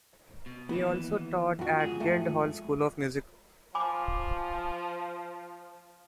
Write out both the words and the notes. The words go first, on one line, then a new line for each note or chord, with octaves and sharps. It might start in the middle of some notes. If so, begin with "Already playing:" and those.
He also taught at Guildhall School of Music.
B2
D#2 E3 B3
F2 F#4
G#2 G#4
F2 A3
F3 G#5 B5 D6